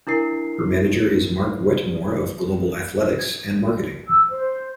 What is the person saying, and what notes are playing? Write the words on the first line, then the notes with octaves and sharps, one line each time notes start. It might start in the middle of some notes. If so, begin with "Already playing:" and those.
Her manager is Mark Wetmore of Global Athletics and Marketing.
D4 E4 A#4 C7
E6
C5